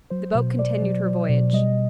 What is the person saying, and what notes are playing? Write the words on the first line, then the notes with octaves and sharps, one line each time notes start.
The boat continued her voyage.
F#3 C5
B2
B2 D5
F#3
F#3
B2
G3 D#5